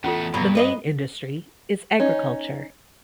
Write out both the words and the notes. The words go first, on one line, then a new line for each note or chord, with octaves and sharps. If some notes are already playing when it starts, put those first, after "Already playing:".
The main industry is agriculture.
E2 A3 C#4 F4 A4
G2 B2 F#3 B3 A#5 B5
B4 D5 D#5
C#4 D#4